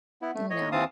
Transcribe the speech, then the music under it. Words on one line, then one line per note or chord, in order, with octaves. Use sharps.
you know
B3 E4
A3
A2 C#5 D#5
D#2 E3 C4 F5 A5 D#6